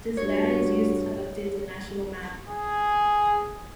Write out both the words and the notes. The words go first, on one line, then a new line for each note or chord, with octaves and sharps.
This data is used to update "The National Map".
G2 F#4 C#5
G#4